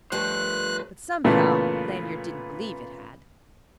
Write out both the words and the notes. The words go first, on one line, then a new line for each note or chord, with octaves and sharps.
But somehow Lanyard didn't believe it had.
G2 F3 A3 B4 C5 F#6
A#2 C#3 E3 A3 B3